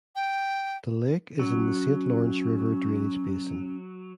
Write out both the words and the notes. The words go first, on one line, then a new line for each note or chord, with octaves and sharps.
The lake is in the Saint Lawrence River drainage basin.
G5
F#3 C#4